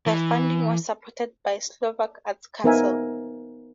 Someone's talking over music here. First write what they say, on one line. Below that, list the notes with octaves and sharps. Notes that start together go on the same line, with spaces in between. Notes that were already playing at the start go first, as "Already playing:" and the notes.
The funding was supported by Slovak Arts Council.
E3
B3 D#4 A#4 C5 E5 G#5